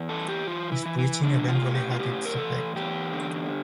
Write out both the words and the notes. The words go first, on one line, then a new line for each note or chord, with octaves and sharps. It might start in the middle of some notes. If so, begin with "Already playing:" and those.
His preaching eventually had its effect.
Already playing: E2
E3 A4
G4
E3 F4
E4
E3
E4
A2 D4
F4
A2
G4
F4
A2 G4
A#4
E3 A4
E2 G4
D3